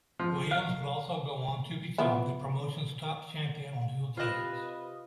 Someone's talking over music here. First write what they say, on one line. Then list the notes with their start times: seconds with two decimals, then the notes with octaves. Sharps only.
Williams would also go on to become the promotion's top champion on two occasions.
0.19 F3
0.51 F5
1.98 F3 B3 E4
4.17 C3 F4 B4 D#5 F#6 E7